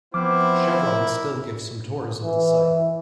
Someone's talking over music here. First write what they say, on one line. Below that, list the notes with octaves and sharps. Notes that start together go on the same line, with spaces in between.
Chevron still gives some tours of the site.
F3 B3 C4 E4 C5 D6 F6
A#4
E3